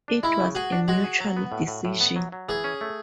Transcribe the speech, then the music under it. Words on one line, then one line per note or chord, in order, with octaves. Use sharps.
It was a mutual decision.
D4
G#3 E4
C#3
F#4 G#4
D4
G#3 F#4
G#4
F#3
B3
A2
A2
A2
B3
F#3
F#3
E3 G#4
C#4
A3